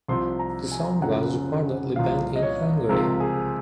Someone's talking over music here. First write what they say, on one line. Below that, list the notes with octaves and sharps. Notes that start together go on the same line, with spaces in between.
The song was reportedly banned in Hungary.
C2 C3 F3 C6
A#5
G#5
F#2 C#3 F3 F#5
C2 A#2 F3 F5
D#5
C#5
C#2 C3 F3 A#4
G#4